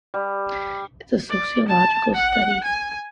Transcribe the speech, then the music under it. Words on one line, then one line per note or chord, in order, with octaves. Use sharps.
It's a sociological study.
G3
D5
A5
F#5
G#5